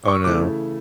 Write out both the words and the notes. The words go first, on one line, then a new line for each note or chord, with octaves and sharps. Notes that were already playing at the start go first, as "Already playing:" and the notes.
Oh, no.
C#6
C#3 E3 A3 E4 D6